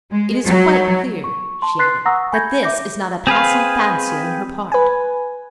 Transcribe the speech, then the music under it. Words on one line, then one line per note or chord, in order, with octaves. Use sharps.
"It is quite clear," she added, "that this is not a passing fancy on her part."
G#3
F#3
C#6
A5 C6
B4 C6 F#6 A6 B6 C7
F#5 A#5 C#6 D#6 E6 A#6
G#5 B5 G6 G#6 A#6
E5 D6 G6 A#6
C4 G#4 B4 F5
B4 G#5